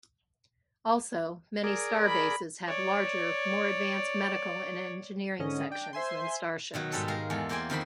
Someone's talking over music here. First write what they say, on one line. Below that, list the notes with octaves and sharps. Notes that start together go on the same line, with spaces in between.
Also, many starbases have larger, more advanced medical and engineering sections than starships.
G#4 A#4 D5
B5
C#5 D5
G#2 D3 C#4 D#5
D4 G5
C5 E5 G#5 C6
B2 D#3 F#3
G#2 G3 A4
G#3 A#4 F5
E2 G#3 A4
A#3 C5 D5 G5 G#5
F2 D#3 C5 B5